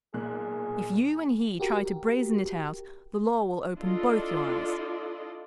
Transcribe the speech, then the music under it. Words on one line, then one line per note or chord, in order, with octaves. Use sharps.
If you and he try to brazen it out, the law will open both your eyes.
B1 A#2 G#4 F#6
F#4 G4 A#4
D4 E4 F4 A4 D5 D#5